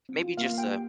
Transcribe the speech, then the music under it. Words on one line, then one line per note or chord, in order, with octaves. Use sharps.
maybe just a
C4
F4
A#3 F5
A#3
G5
G4